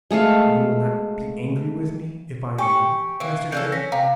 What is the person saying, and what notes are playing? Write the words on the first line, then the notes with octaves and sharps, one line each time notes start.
"But you will not be angry with me if I am wrong, Master Sheriff?"
G#3 A3 A4 F5
G4 G#5 C#6 C#7
E3 A#3
C#3 A#3 A4 D5 F#6 G6
C#4 A#6 B6
C3 F5 A#5